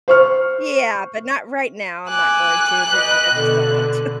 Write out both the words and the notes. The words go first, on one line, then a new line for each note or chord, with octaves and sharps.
yeah, but not right now. I'm not going to because I just don't want to,"
C5 C#6 F6
G#5 D6 E6 F#6
B4 D#5 G5
B2 D3